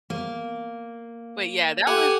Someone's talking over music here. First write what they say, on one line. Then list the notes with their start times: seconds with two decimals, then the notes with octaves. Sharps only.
but, yeah, that was
0.10 A#3
1.87 G4 A4 F#5 G#5